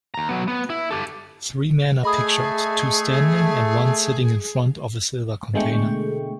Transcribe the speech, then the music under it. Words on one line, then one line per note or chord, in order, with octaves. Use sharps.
Three men are pictured, two standing and one sitting in front of silver container.
D#2 A#5
F#3 B3
B3
E4
G4 A4
A3 G#4 D#5 B5 D#6
B2 D3 G#3 A3 G5 C#6